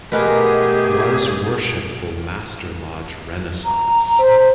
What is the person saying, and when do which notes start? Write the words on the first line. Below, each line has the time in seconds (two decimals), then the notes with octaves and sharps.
Was Worshipful Master Lodge "Renaissance".
0.12 B2 G#3 A3 B3 G4 G#4 A#4 B4
3.65 A#5
4.20 C5